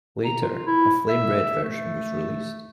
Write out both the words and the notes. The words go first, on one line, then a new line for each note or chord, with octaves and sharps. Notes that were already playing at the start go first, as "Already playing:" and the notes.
Later, a Flame Red version was released.
A#5
F4
E4
E5
A3